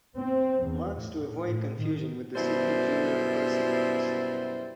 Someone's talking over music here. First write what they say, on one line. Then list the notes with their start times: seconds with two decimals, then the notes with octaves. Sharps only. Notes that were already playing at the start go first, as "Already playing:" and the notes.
Marks to avoid confusion with the Sydney jeweller Percy Marks.
0.17 C4
0.66 E2
0.99 A2
1.49 A2
1.83 D#3
2.35 F#2 B2 G3 E4 C5